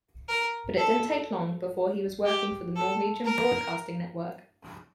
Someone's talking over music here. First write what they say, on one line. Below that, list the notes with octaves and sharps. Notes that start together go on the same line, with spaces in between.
But it didn't take long before he was working for the Norwegian broadcasting network.
A#4
A4
G4
A4
A#4